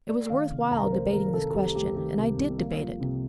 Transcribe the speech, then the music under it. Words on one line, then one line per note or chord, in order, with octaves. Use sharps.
It was worth while debating this question, and I did debate it.
A3 D5
D#3 F5
C3
C2 A#5
A#4
A3 C5
D#3 A#4
A#4
C3 A4
A4
C2 G4
A3 G4
D#3 G4
C3
C2
A#3
F3
C3